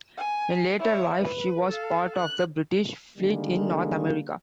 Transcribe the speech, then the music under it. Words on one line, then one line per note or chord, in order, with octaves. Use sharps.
In later life, she was part of the British fleet in North America.
G#5
E4 C#5
B4
A4 F5
F#6
D3 D#3 G3 G#3 A#3